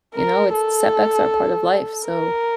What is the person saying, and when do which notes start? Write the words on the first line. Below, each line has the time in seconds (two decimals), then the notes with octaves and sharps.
You know? It's setbacks are part of life, so
0.14 A#4
0.53 A4
2.06 A#4